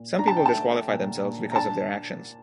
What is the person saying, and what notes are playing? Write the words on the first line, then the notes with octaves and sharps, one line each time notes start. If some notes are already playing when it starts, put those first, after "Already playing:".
Some people disqualify themselves because of their actions.
Already playing: A#2
D4 A#5
A5
G5
A5
A3
A#2
A#2
A#5
D4 A5